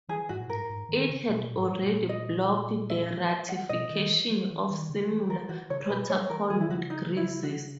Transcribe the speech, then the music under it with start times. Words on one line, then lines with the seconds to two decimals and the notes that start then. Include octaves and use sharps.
It had already blocked the ratification of similar protocol with Greece.
0.09 E3 G#4
0.29 G#2 F#4
0.40 A#2
0.50 G#2 A#4
0.70 G#2
0.89 D#3
1.09 C#3
1.29 B2
1.50 A#2
1.56 G#2
1.83 A#2
2.09 D#5
2.90 E5
3.29 E5
3.49 F#5
3.69 B2 D#5
3.90 D#3
4.09 E3
4.30 F#3
4.50 E3
4.70 D#3
4.89 C#3
5.10 E3
5.29 E3 A#4
5.49 E3 F#4
5.70 C#3 C#5
5.90 B2 B4
6.09 F#3 C#5
6.30 E3 A#4
6.50 D#3 G#4
6.61 E4
6.69 C#3 F#4
6.90 D#4
7.17 E4
7.43 F#4